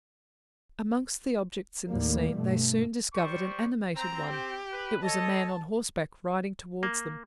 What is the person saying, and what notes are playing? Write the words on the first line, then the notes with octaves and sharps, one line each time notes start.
Amongst the objects in the scene, they soon discovered an animated one; it was a man on horseback riding towards them.
D#2 A2 G3 A#3
G2 B2 A3
G3 C5 C#6
C4 A#5
G4
B4
A4 C#5 D#5 A5
A#3